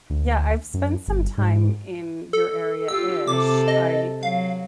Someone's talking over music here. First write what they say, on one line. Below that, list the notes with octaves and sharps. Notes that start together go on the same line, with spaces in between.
Yeah, I've spent some time in your area-ish. I
D2
F#2
G1
G#2
A4
F4 G4 E6
C3 A4 D6
D#5
F#3 F5